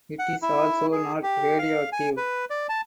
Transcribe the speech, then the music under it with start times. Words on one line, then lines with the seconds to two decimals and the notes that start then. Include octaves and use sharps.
It is also not radioactive.
0.19 F#5
0.42 E4
0.92 G#4
1.23 G4
1.59 F5
1.92 G#5
2.17 B4
2.50 D5
2.69 A5